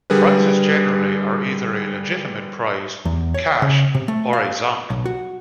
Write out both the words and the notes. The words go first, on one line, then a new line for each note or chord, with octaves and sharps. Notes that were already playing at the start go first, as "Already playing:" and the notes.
Prizes generally are either a legitimate prize, cash, or a Zonk.
D3 G3 G#4 A#4 B4
E2
C#5
C#3
C3
A3
F5
B1
F#4